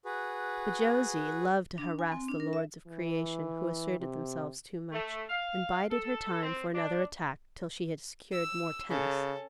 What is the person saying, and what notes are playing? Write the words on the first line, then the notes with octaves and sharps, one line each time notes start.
But Josie loved to harass the lords of creation who asserted themselves too much, and bided her time for another attack till she had secured more tennis.
F#4 G#4 B4
D4
G#5
C4
D4
A#4
E5
E3
C3
A3
F5
A4
C4
D4
E6
C#3 C#4 A4